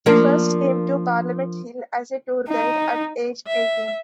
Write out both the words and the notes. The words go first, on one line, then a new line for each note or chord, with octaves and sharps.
He first came to Parliament Hill as a tour guide at age eighteen.
F3 A#3 D4
D#4
E5